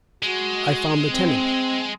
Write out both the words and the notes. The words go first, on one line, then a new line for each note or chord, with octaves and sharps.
I found the tenant.
G#3 F#4
C4